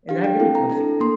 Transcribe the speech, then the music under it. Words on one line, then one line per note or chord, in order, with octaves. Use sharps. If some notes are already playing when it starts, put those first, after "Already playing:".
and that really tells you that
D4 G4 F5
G5
C4 E4 A4
A#5
A3 D4 A4 A#5
A#3 C6